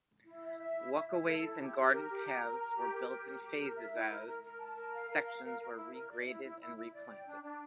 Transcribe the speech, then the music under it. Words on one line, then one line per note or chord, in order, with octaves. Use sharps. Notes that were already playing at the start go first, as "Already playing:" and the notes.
Walkways and garden paths were built in phases as, sections were regraded and replanted.
E4
E5
E5
E4
E5
E4
A4
E4
G4
G4
A#4
G4
A#5
A#4
A#5
G4
A#4
G4
A#4
G4
A#4
E5
E4
A#4
A#4
A#4
A5
A#4
F5
A#4
F5
A#4
A#4
E4
A#4
D5
E4
E4
E4
E4
D5
G5
D4
D4